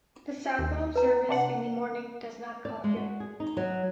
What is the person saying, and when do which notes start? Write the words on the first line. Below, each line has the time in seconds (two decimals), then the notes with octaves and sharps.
The southbound service in the morning does not call here.
0.58 D#2
0.96 B4 A#5
1.29 C3 D4 F#5
2.65 D5
2.84 G#3
2.96 F#4
3.20 G#4
3.40 D#4
3.57 F#3